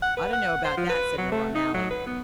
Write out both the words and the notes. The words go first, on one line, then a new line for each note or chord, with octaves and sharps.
"I don't know about that," said Nora O'Malley.
F#5
B4
F#5
C5
F3
B4
F#3
A3
D#4
F#3
B4
B3